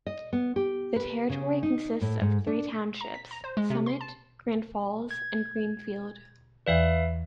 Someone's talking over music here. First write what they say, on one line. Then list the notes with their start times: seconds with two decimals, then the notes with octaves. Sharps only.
The territory consists of three townships: Summit, Grand Falls, and Greenfield.
0.06 D#5
0.33 B3
0.56 G4
0.96 B4
1.30 C#3
1.63 D#4
2.01 A2
2.21 G#2
2.47 D4
3.01 A#5
3.14 B6
3.31 A#5
3.44 C5
3.57 G#3
3.70 C3
3.86 C6
4.01 A5
5.11 G#6
6.66 E2 E3 B4 D5 E5 F5